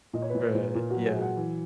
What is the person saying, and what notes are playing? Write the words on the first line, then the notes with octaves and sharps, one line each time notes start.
Right, yeah.
A#2 D#5
C#5
B4
A#2 C#5
A#2
A#2 A#4
F#4
F#3
G#4
F#3
F#5
E3